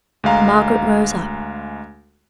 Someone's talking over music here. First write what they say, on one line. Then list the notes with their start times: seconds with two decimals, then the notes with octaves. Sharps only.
Margaret rose up.
0.24 D2 G#3 F5 A#5